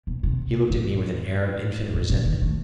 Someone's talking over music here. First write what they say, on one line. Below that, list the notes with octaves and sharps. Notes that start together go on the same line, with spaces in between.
He looked at me with an air of infinite resentment.
B2
C3
A2
A2
A#2
D#3
A3